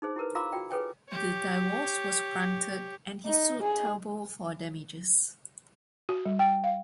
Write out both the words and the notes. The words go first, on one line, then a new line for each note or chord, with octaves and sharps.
The divorce was granted, and he sued Talbot for damages.
D#4 G#4 C5
E4 G4 A#4 B4
F4 F5 A#5 C6 D6 E6
F4 F#4 D5 G5
G#4 A4 B4 C#5 G5 G#5
G4 C#5
D#4
G#4
F#4
G3
G5
F5